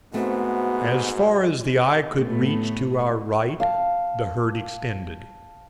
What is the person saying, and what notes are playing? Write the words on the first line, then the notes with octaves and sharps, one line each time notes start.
As far as the eye could reach to our right, the herd extended.
G#2 A3 B3 C4 F#4
A2 A3 B3
F5 A5